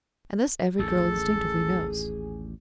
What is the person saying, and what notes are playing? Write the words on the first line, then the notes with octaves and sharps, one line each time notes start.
And this every girl instinctively knows.
A1 D#2 G#4 A4